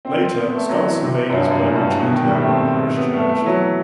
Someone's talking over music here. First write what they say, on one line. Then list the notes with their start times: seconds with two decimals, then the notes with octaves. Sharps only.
Later, Scots invaders burned much of the town and the parish church.
0.05 C4
0.21 C4
0.37 B3
0.52 A3
0.69 F#3
0.86 E3
1.02 C3
1.30 F#2
1.34 G2
1.51 F#2
1.63 A2
1.75 G2
1.87 A2
1.99 B2
2.12 D#3
2.24 G3
2.36 A3
2.48 C4
2.96 B3
3.14 A3
3.29 A3
3.41 E3
3.46 F#3